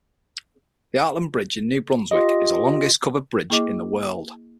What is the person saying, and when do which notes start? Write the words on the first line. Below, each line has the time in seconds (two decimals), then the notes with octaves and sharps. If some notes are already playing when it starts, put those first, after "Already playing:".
The Hartland Bridge in New Brunswick is the longest covered bridge in the world.
2.11 F4 G4 D#5
3.50 A#3 E4 G#4 D#5 D6